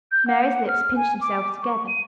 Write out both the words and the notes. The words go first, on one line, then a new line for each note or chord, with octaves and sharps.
Mary's lips pinched themselves together.
G6
F#5
F6
G#5
D6
C#6
D#7